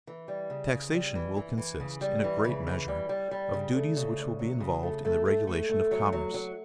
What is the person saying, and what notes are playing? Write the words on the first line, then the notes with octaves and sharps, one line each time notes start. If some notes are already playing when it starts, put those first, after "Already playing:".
Taxation will consist, in a great measure, of duties which will be involved in the regulation of commerce.
E3
G3
C#3
C#3
G3
E3
E3
E3
C#3
G3
E3
C#3
E3
G3
G3
G3
C#3
A3
C#3
D2
F#3
C#3
A3
A3
A3
A3
A3
F#3
F#3
F#3